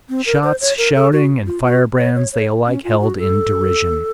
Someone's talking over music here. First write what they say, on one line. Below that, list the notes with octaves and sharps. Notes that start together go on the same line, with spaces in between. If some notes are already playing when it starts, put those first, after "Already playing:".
Shots, shouting and firebrands they alike held in derision.
C4
A#4
C5
C#5
A#4
A4
F#4
F4
F#4
C#5
C#5
C#5
C#4
F4
F#4
A4